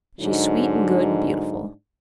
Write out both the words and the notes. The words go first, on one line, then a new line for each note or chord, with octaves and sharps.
She's sweet and good and beautiful.
G#2 D3 F#3 D4 D#4